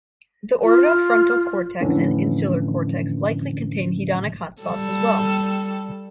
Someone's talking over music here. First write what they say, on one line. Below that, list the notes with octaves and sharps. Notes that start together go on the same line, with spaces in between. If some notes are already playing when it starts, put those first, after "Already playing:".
The orbitofrontal cortex and insular cortex likely contain hedonic hotspots as well.
F4
F2 A2 D3 E3 C#4
G3 A4